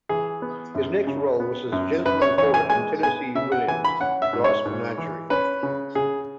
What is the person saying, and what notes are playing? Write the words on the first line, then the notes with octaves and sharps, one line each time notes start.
His next role was as the Gentleman Caller in Tennessee Williams' "The Glass Menagerie".
E3 G#4
B3
F#2
C#3
B3
F#2
F#2 B4
C#5
E3 C#5
G#5
G#3 G#5
B3 G#5
C#3 E5
F#5
E3 G#5
B5
C#4 F#5
E5
G#2
C#5
G#2
E3
C#4 B4
C#3
C#3 G#4